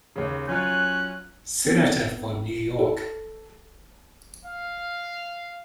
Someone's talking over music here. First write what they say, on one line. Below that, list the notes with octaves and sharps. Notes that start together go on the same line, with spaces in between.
Senator for New York.
D#2 C#3
F#3 C#4 F4 C#5 F#6
B3 C4
A4
F5